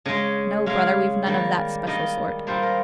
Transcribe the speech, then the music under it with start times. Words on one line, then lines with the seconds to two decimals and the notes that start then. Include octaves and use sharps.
"No, brother, we've none of that special sort."
0.05 C#3 G#3 D#5
0.66 C#3 G#3 F5
1.26 D#3 G3 A#3
1.86 D#3 G3 A#3 D#5
2.47 A#2 G3 A#3 C5
2.62 A#4